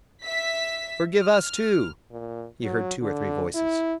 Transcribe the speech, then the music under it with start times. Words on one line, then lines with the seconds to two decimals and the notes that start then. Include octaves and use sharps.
"Forgive us too!" he heard two or three voices.
0.23 E5 B6
1.17 F6
2.11 A#2
2.64 F#3
3.02 D3
3.55 E4